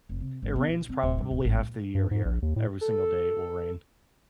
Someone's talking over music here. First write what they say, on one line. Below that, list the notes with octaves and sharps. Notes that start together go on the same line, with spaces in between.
it rains probably half the year here. Every single day it will rain.
F1
C3
G#1
B3
A#1
C4
D1
G2
D1
G#1
A#2
G2
G#2
A#1
D#2
A2
A4